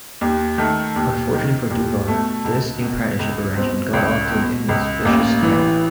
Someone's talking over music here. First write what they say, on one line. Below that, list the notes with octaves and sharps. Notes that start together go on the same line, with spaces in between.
Unfortunately for Duval, this new partnership arrangement got off to an inauspicious start.
D#2
D#3 A3
D#2
D#3
D#2
B2 A3
C#2
B2
C#2
B2 C4
C#2
B2
C#2
A1 A#3
E3